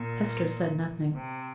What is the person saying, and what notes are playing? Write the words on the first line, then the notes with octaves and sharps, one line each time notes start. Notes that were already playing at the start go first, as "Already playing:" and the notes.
Hester said nothing.
Already playing: A#2
C3